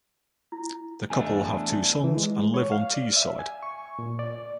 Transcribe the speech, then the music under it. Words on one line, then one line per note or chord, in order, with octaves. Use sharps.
The couple have two sons and live on Teesside.
E4
E2 A3 D4 D#5 G#5
E3
G#3
C#5
F5
D5
E5
G#5
C#6
A#2
D5